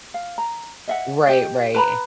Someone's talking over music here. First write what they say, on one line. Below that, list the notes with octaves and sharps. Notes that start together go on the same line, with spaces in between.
Right, right.
F5
A#5
D#5 E5 F#5
G4 D#5
B4 A#5 B5